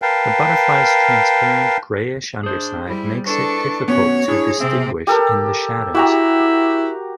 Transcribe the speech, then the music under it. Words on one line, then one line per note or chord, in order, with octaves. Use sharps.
The butterflies transparent greyish underside makes it difficult to distinguish in the shadows.
A#4 B4 F5 G5 A5
D4 G#4 C5
G3 E4
D4 E4 A4 B4 C#6
B3 C#4 F#4 C#5
D4 E4 G#4
C3 C4 E5
G4 A4 A#4
E4 F#4 G4 A#5